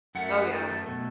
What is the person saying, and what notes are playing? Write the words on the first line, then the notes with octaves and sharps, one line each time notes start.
Oh, yeah.
F#2 F#3 A3 F#5
F#5
B4
A4
B2 A3